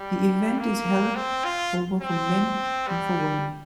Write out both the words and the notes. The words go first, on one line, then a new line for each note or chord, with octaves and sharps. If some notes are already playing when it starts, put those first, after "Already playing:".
The event is held over for men and for women.
Already playing: G3
A#3
C4
F4
C4
G3